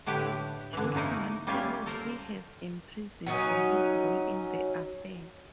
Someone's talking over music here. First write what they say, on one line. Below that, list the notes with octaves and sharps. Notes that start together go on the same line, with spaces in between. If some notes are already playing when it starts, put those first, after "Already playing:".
During one period he has imprisoned for his role in the affair.
A2 D3 E4 G4 B4
D3 E3
A3 A#3 D#4 E4
G3 A#3 C#4 F4 E5
A4 A#4 C5
F#3 C#4 D#4